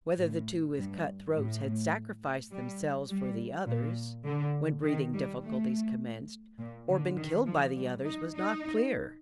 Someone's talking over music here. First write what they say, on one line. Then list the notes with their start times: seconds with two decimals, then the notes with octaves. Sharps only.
Whether the two with cut throats had sacrificed themselves for the others when breathing difficulties commenced, or been killed by the others, was not clear.
0.17 A2
0.77 G2
1.34 A2
2.51 G3
3.09 G3
3.67 A#2
4.25 D3
4.84 D#3
5.13 G3
5.42 A3
6.59 A#2
6.88 D3
7.18 D#3
7.46 F3
7.75 G3
8.05 D#4
8.34 D#4